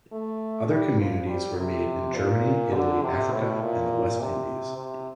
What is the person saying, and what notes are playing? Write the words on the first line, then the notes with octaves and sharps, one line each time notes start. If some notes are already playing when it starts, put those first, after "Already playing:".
Other communities were made in Germany, Italy, Africa and the West Indies.
A3
G3
F3
G3
C3
A#2
D3
C3
A2
A#2
C3
C3